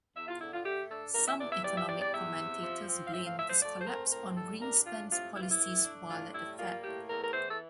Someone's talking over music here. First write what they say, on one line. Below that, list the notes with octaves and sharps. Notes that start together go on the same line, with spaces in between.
Some economic commentators blamed this collapse on Greenspan's policies while at the Fed.
E2 E5
F4
D3 E4
F4
A3 G4
D4 A4
E2 A#4
E5
E3 D5
E5
G3 D5
E5
E2 D5
D5
E2 E5
C3
F3
C4
F5
A2 E5
F5
F3 E5
C5
A3 D5
C5
C4 A#4
A2 A#4
G3 A4
D4 A#4
A2 F4
C3 F4
E3 E4
F4
E4
A3
D4
A2 F4
G3 E4
A#3 F4
A2 G4
E2 A#4
A#4
E3 C5
A4